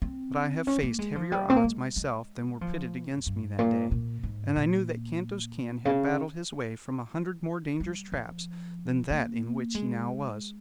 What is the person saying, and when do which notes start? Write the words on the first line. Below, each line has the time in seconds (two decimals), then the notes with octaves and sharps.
But I have faced heavier odds myself than were pitted against me that day, and I knew that Kantos Kan had battled his way from a hundred more dangerous traps than that in which he now was.
0.02 C4
0.67 C#4
0.83 A#3
0.99 G#3
1.15 F3
1.32 G3
1.50 C4
1.56 A#3
1.64 G#3
1.96 G#3
2.61 F3
3.16 F2
3.26 G2
3.59 A#2
3.91 A#2
4.23 G#2
4.56 A#2
5.85 C#3
7.80 G3
8.12 F3
9.10 A#3
9.75 G#3